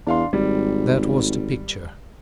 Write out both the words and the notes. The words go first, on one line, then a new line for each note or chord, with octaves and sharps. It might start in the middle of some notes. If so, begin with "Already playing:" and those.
That was the picture!
E2 D4 F5 C6
G#1 G3